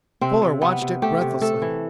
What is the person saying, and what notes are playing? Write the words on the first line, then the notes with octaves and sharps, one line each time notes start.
Fuller watched it breathlessly.
C3 C4
C3
C3 B3
C3
A3 G4
C3
A3 A4
E3